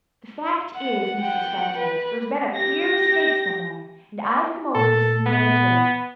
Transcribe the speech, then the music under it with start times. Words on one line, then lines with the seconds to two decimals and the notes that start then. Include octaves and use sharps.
The fact is, Mrs. Spencer, there's been a queer mistake somewhere, and I've come over to see where it is.
0.76 F#5
1.21 F#5 G5
1.77 B4
2.53 G4 A#6
4.75 A#2 A4
5.26 B3